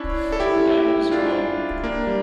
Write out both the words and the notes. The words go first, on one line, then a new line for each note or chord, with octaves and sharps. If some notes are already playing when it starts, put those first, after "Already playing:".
The game was drawn.
Already playing: C#4 D4 E4
A4
E4 G4
D4 F4
A#3 D4
G3